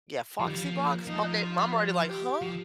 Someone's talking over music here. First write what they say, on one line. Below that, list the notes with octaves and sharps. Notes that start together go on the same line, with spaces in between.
Yeah, Foxy Box, my nam I'm already like, huh?
F3 G3
D#3
F3
A#3
F3 D#4
F4
G4
F3